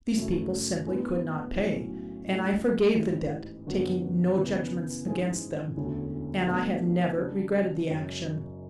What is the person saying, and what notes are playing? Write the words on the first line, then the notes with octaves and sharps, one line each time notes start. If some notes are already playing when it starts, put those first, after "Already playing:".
These people simply could not pay, and I forgave the debt, taking no judgments against them, and I have never regretted the action.
F#2 C#3 F#3 A3 E4
A2 G#3 B3 D4 G#4
B1 A2 F#3 C#4
A2 F#3 A3 C#4 E4
A1 G#2 E3
F#2 D3 F#3 B3 F#4
C#3 E3 B3
G#2 E3 G#3 C#4 G#4
E1 D2 D3 A3 C#4
B2 A3 D4 G#4
C#3 G#3 D4 G#4
F#1 F#2 C#3 G#3 C#4